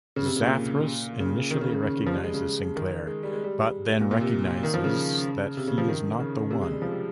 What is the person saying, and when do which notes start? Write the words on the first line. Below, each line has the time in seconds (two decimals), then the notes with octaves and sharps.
Zathras initially recognizes Sinclair, but then realizes that he is not the One.
0.16 C#3
0.26 C3
0.36 C#3
0.46 A#2
1.19 C#3
1.50 D#3
1.61 C#3
1.71 C#3
1.82 C#3
2.06 F3
2.13 G3
2.24 G#3
2.34 C#3
2.76 D#3
3.07 G#3
3.23 G3
3.33 G#3
3.44 G3
4.01 A#2
4.11 A#2
4.21 C3
4.63 D#3
4.74 F3
4.84 C#3
5.57 C3
5.67 C#3
5.78 F3
5.88 D#3
6.19 C#3
6.51 C3
6.61 G#3
6.72 G3
6.82 F3
6.92 G3